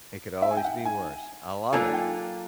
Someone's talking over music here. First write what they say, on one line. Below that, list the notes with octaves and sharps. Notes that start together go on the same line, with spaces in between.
It could always be worse, I love it.
E5
G#5
G5
F#5
G#5
F#3 A#3 D4 F4 A4 G#5
G#5
G5